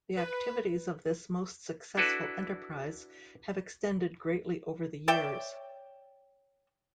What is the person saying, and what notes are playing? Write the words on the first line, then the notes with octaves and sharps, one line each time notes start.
The activities of this most successful enterprise have extended greatly over the years.
B4
D4 E4 F#4 A4 B4
C#5 D5 E5 G5